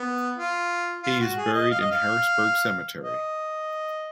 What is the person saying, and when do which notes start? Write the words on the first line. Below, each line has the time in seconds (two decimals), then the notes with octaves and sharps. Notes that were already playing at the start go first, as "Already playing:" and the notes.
He is buried in Harrisburg Cemetery.
Already playing: B3
0.37 F4
1.03 F4
1.20 F#4
1.37 G#4
1.54 D#5
1.71 F5
1.81 D#5
1.91 F5
3.03 D#5